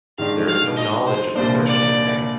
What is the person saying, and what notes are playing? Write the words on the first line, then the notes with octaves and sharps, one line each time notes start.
There is no knowledge of the Third Campaign.
G#2 D#3 G#3 D4 F5
F5
D#5
C5
C2 A#2 G3 A#3 D4 C5
D5